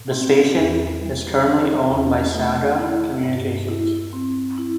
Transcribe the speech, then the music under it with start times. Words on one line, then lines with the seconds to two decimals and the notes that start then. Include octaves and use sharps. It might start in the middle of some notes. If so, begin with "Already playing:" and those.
The station is currently owned by Saga Communications.
Already playing: A2
0.12 C4
0.56 E2
1.01 G3
1.45 E3
1.89 E2
2.34 A3
2.79 E4
3.23 G2
3.68 E4
4.13 C4
4.58 E4